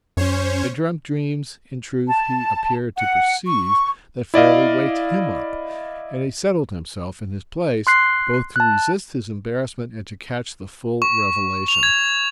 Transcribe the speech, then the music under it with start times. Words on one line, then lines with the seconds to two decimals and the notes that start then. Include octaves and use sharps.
They dreamt dreams, in truth, he appeared to perceive, that fairly waked HIM up, and he settled himself in his place both to resist his embarrassment and to catch the full revelation.
0.17 F#2 C#4 C5 C#5
2.08 A5
2.97 F#5
3.45 C#6
4.34 E4 D5 D#5 F5
7.87 C6 F#6 C7
8.56 A5 F#6
11.02 C#6
11.68 F7
11.83 G#6